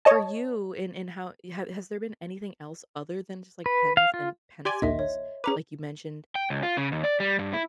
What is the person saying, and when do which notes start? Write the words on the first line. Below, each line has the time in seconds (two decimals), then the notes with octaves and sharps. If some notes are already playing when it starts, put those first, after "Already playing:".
for you, and and how you ha has there been anything else other than just, like, pens and pencils, like, you mentioned?
0.05 C#5 D#5 A5
3.66 B4
3.97 F5
4.14 F4
4.65 G4 D5 G#5 C6
4.82 A#1 D#2 D#5 E5
4.99 C#5
5.44 C#4 G#4 B4 A#5 D6
6.35 G5
6.50 C#2
6.63 F4
6.77 C#3
6.92 D#2
7.04 D5
7.20 G3
7.39 G2
7.53 E4